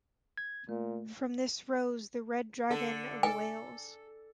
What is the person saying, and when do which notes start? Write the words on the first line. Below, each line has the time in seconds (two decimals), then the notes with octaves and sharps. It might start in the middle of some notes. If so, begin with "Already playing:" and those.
From this rose the red dragon of Wales.
0.38 G#6
0.69 A#2 A3
2.71 D3 A4
3.23 A4 G#5